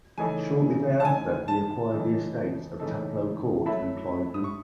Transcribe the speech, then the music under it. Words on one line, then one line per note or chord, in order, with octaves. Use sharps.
Shortly thereafter he acquired the estates of Taplow Court and Cliveden.
C#3 E3 A3 D#4 A4 G#5
A5
C#3 E3 A3 D#4 A4 G#5
A5
C#3 E3 A3 D#4 A4
C#3 E3 A3 D#4 A4
F#3 A3 E4 A4 E5 B5
D#6
C#6